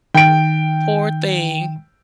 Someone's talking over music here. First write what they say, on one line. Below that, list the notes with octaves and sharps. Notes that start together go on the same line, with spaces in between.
Poor thing,
D#3 G5 D7